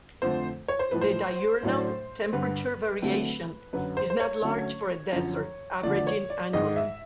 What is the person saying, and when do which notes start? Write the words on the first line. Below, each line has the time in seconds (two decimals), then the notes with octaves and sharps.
The diurnal temperature variation is not large for a desert, averaging annually.
0.22 F2 D3 F3 A3 C5
0.68 C#5
0.79 C5
0.91 A2 F3 A3 B4
1.01 C5
1.63 A2 F#3 A3 D4
2.33 G2 D3 G3 B4
3.02 D3 F#3 A3 C4
3.73 F#2 D3 F#3 B4
3.97 C5
4.10 C5
4.20 C#5
4.42 D3 F#3 A3 C#4
5.13 F#2 D3 F3
5.83 D3 F3 A3 D5
5.95 D5
6.07 C#5
6.30 D5
6.53 G#2 D#3 G#3 D#5
6.76 E5